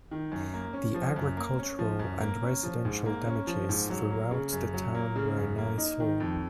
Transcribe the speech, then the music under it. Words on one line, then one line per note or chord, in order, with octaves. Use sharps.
The agricultural and residential damages throughout the town were an eyesore.
D#3
F#2
A#3
C#4
F3
F#2
A#3
C#4
F3
F#2
A#3
C#4
F3
G#2
A#3
C#4
F3
G#2
F#3
A#3
C#3
F#2
F#3
A#3
C#3
F#2
A#3
D#4
D#3
F2